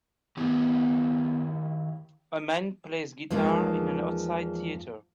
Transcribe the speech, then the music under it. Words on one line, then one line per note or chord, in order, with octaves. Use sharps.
A man plays guitar in an outside theater.
D#3 B3 E4 G4
E2 F3 G#3 A#3 D#4